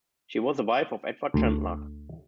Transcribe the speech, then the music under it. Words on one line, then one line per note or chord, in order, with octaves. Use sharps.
She was the wife of Edward Chandler.
D2